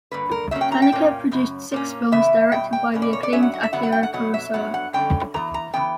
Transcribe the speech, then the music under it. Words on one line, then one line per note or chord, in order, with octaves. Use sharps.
Tanaka produced six films directed by the acclaimed Akira Kurosawa.
G2 D3 A#3 B4
A#4
C#3 F#3 A#3 C#4 E5
G5
A#5
G5
A#2 A#3 C#4
F#2 C#3
A#2 A#3 C#4
C#3 E3 B3 E5
B2 G3 G5
G5
E2 B2 A#3 C#4
D5
C#5
D5
G2 F#3 C#4 E5
F#5
F#5
E5
E2 D3 F#3 B3 F#5
F#5
G5
F#5
B2 F#3 B3 F#5
E5
G2 F#3 B3 F#5
F#5
F#2 D3 G3 C#4 G5
G2 E3 B3 A#5
A#5
C#3 E3 B3 G5